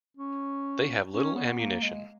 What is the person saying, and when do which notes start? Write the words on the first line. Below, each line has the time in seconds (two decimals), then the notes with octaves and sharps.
They have little ammunition.
0.17 C#4
1.11 C#4
1.35 B3
1.59 A#3
1.82 G#3